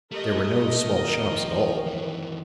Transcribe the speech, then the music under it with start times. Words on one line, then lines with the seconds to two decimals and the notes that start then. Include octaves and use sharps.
There were no small shops at all.
0.11 A3 G4 A#4 D#5
0.83 D#3
1.31 F3
1.86 F#2 E3